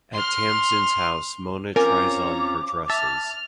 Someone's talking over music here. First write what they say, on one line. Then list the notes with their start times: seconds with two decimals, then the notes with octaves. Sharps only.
At Tamsin's house Mona tries on her dresses.
0.14 C6 F6
1.76 C4 C#4 F4 A#4 C#5 G#5 A#5 D6
2.90 E5 A5 F6